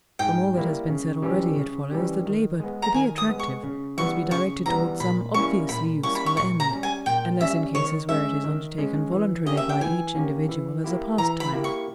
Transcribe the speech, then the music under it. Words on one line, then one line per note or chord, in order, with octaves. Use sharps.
From all that has been said already it follows that labour, to be attractive, must be directed towards some obviously useful end, unless in cases where it is undertaken voluntarily by each individual as a pastime.
G#2 G5
G3 A#3 E4
C#3
E3 G3 C#4 G4
C#3
E3 G3 C#4 G4
D#3
G#3 B3
A#5
D#3 G#5
D#6
G#3 B3
C#6
C#3
E3 G3 B3 C#6
C#3 C#6
E3 G3 B3 A#5
A#2 B5
G3 A#3 C#4 E4 C#6
A#2 B5
G3 A#3 C#4 E4 C#6
B5
C#6
A#2 C#6
A#5
G3 C#4
G#5
A#2 G5
G3 C#4 E5
D#3 C#5
G#3 C#4 E5
D#3
G#3 C#4
E3
A#3 C#4 G4 D#5
E5
G5
E3 G#5
A#3 C#4 G4
E3
A#3 E4 G4
E3 A#5
B5
A#3 E4 G4
C#6